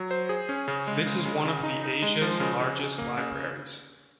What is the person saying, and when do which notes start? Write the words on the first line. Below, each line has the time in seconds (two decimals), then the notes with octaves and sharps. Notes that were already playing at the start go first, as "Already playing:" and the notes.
This is one of the Asia's largest libraries.
Already playing: F#3
0.11 C5
0.29 G#4
0.49 C#4
0.68 C#3
0.87 G#3
1.06 C#3
1.25 C#3
1.45 C#3
1.63 D#4
1.84 D#4
2.02 G#3
2.22 F3
2.40 C#3
2.60 C#3
2.79 C#3
2.98 A#3
3.17 C#3